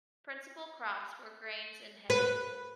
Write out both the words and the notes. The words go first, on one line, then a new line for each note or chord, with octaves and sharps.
Principal crops were grains and hay.
B4